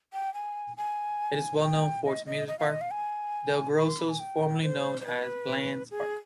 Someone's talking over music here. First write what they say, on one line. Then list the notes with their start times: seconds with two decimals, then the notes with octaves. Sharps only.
It is well known for its amusement park, DelGrosso's, formerly known as Bland's Park.
0.13 G5
0.34 G#5
0.77 G#5
1.63 G5
2.05 D#5
2.26 D#5
2.48 D#5
2.59 F5
2.70 D#5
2.81 F5
2.91 G#5
3.77 B5
3.88 C6
3.99 B5
4.09 G#5
4.20 G5
4.63 C5
5.01 C5
5.06 B4
5.91 G#4